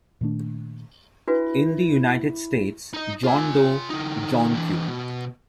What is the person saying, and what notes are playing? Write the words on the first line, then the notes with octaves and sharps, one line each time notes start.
In the United States, John Doe, John Q.
A#2 D#3 A3 D4
D4 E4 F#4 B4
D#4 D#5
F4 G#5
D3 D#4
E3 D4
B2